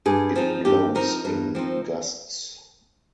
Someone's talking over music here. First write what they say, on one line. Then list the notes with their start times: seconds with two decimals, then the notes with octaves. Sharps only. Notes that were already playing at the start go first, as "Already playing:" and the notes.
It blows in gusts.
0.06 G2 G#4
0.36 F3 C4 D#4
0.65 G2 G4
0.95 F3 C4 D#4 A#4
1.25 G2 A#4
1.55 F3 C4 D#4